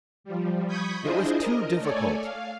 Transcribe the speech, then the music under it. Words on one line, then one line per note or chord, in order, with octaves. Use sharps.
It was too difficult!
F3 G3
B5 C#6 D#6 G6 G#6 B6
D4 E4 F4 G#4 C5 D#5
A#4 D#5
A3 A4 C#5 D5 G#5
F5